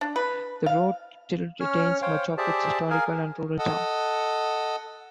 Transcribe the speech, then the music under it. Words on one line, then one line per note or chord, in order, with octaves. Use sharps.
The road still retains much of its historical and rural charm.
D4
B4
F5
C#4 C#5 F6
C5 C#5 F5 G5
G4 G#4 C5 D5 E5 A5
G#4 A#4 F5 G#5
A4 D#5 F#5